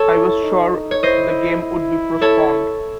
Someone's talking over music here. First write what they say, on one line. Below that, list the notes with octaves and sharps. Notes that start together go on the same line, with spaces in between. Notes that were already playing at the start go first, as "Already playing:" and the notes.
I was sure the game would be postponed.
Already playing: A4 C#5
E4
D#4
D#4
C#5
E4 C5 D#5
E4
A4 C#5